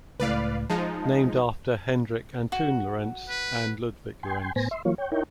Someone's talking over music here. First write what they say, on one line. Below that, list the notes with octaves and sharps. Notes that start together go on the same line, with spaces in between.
Named after Hendrik Antoon Lorentz and Ludvig Lorenz.
C#2 A2 B4 D5 F5
F3 G#3 D#4 A5
F#4
B4
G5 G#5 C6
A2 B3 C5 G#5 A#6
E5 C6
E3 F#3 A#3 F4 C#5
C#5 G5
D#4 E4 A#4 C#5 G5